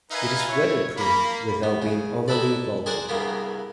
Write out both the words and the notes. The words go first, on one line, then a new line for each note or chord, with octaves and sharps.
It is weatherproof without being overly bulky.
D#4 A#4 B4 E5 F5 G#5
E4 C#5
A#3 B5
B3
C#3
D#4 E4 A4 B4 D5
G#4 A#4 C5 D5 F#5 G#5
C2 G2 C#3 A#3 B3